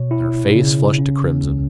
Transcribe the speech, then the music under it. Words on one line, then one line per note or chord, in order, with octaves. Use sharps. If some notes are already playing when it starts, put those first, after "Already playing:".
Her face flushed to crimson.
Already playing: B2 C#5
E4
C#3
C#4
C#2